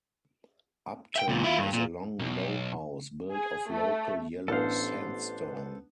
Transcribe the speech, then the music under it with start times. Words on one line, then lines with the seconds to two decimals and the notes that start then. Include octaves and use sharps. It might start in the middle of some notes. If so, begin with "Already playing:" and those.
Upton is a long low house built of local yellow sandstone.
1.16 E5 G5
1.28 C#2 A#2
1.44 E4 F4
1.58 G2
1.73 A#2
2.20 B1
3.33 G#4
3.71 A3
4.48 A1 B3 D4 A4 C5 F5